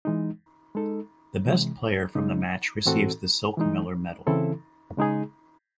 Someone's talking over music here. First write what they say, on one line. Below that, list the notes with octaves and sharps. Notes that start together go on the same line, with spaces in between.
The best player from the match receives the Silk-Miller Medal.
E3 G#3 D#4
G#3 D#4 A4
C3 E3 G#3
C#3 G#3 D#4
A2 E3 C4 F#4 A4
E3 G#3 D#4
C#3 E3 C4 E4 A4
C#3 G#3 D#4 G#4